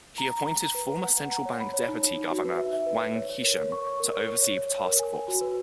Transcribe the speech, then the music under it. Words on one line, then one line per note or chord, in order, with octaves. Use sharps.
He appointed former central bank deputy governor Wang Qishan to oversee the task force.
A#5
A#5
A#5
A#5
B4
B4
F#5
F#5
A#5
C#5
B5
C#5
D#4
D#4
D#4
F#4
B4
E5
E5
B4
B4
C#5
C#5
A#4
C#5
C#6
C#6
A#4
C#5
C#5
C#5
C#5
C#5
A#4
G#5
G#5
F#4
B4